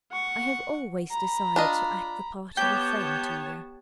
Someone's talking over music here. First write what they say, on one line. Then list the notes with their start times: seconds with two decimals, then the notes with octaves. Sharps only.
I have always desired to act the part of a friend to you.
0.11 F#5 C#6
1.11 A#5 B5
1.56 D4 F4 D#5
2.57 B3 G4 C#5 A5 G6